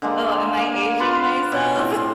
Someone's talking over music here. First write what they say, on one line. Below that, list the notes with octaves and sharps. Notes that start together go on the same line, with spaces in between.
Oh, am I aging myself?
D3 G#3 A#3
A#3
F4 B4 A5 C6
B2
A2 C4